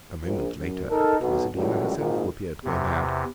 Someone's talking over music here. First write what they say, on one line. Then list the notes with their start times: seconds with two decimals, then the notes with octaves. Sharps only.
A moment later it was Adela herself who appeared to go mad.
0.24 A#1
0.59 F#2
0.90 D#4 A4 A#4
1.20 B1 B2
1.54 C#2 F#2 A2 E3 F#3 G3
1.97 G#1 A#2
2.65 E2 C3